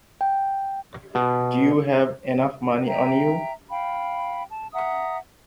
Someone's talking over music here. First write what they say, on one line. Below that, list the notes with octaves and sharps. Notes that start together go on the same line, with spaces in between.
Do you have enough money on you?
G5
B2
E5 G5 A#5
F5 G5 B5
A5
E5 F#5 A#5 D#6